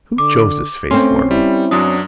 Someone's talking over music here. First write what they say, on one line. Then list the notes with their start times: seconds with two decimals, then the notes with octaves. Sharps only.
Who chose this face for me?
0.18 D3 D6
0.91 A3 C4 C#4 C6
1.31 G3 E4
1.71 F#2 F#3 D4 D#6